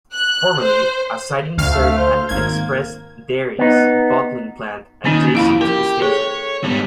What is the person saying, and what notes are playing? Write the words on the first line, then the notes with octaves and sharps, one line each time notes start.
Formerly, a siding served an Express Dairies bottling plant adjacent to the station.
F#6
C5
D2 F5 F6
A3
C5
G#1 A#3 G#6
B3 D#4
D#3 A#3 C#4 F4
F2 E4 F5 B5
G4 A#4
G#4 A4 C#5
G#2 G3 B3